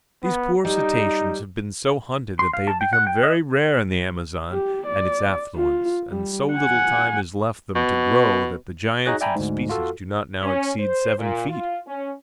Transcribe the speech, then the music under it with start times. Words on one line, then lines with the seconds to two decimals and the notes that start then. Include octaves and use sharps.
These poor cetaceans have been so hunted that they have become very rare in the Amazon and its affluents, and so little time is left them to grow that the giants of the species do not now exceed seven feet.
0.23 B3
0.65 G3 D#4
2.39 C6
2.53 F5
2.67 A5
2.81 G5
2.93 F#5
3.07 G5
3.23 D#5
4.52 G4
4.86 D5
5.57 F4
6.11 G3
6.54 F#5 G#5
7.75 B2
9.05 D#4 F#4 G#4 C#5 F#6 A#6
9.20 D5 E5 G5 G#5 A#5 B5
9.35 D2 G#2
9.69 F4 F#4 A4
10.43 C#4
10.80 C5
11.19 A#2
11.49 F4
11.87 C#4